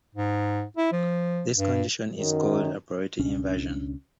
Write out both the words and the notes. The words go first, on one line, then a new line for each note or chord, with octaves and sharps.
This condition is called a priority inversion.
G#2
E4
F3
G2
F#2 D#3
C#2 B2 C#4 D4